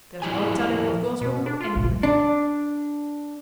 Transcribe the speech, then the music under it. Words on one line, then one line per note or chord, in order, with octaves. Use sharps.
There's no telling what girls will do anyway.
F3 E4 G4 G#5
B2
D4
F4
D1 A#1
D4